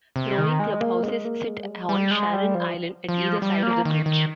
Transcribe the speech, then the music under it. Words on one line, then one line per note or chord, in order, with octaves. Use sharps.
Rowing clubhouses sit on Shannon Island at either side of the bridge.
C3
D#3
G#3
A#3
G#3
A#3
G#3
G3
G#3
G3
G#3
G3
F3
F3
G3
A#3
D#3
D#3